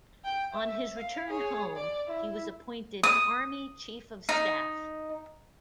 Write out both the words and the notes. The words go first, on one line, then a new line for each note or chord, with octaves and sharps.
On his return home, he was appointed Army Chief of Staff.
G5
E5
F5
G#4 C#5
D5
E4
D#6
D#4